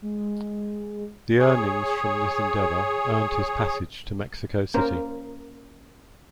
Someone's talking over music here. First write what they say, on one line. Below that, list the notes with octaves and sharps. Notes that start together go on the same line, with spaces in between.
The earnings from this endeavor earned his passage to Mexico City.
G#3
G#4 C#5
A#3 C#4 A#4 C5